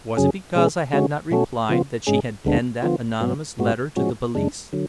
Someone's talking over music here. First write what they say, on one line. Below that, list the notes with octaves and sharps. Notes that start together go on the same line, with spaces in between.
Was it because I had not replied that she had penned that anonymous letter to the police?
F#2 C#3 F#3 C#4 G#4
B2 G#3 C#4 G#4
D3 G#3 C#4 F#4
B2 A3 C#4 F#4 A4
C#3 F3 B3 F4
G#2 G#3 C#4 G#4
D2 D3 G#3 B3 D4
D3 F3 B3 F4
G#2 F#3 B3
G#2 G#3 B3 F#4
A2 F3 G#3 C#4 F#4
F#2 C#3 G#3 D4
D3 F#3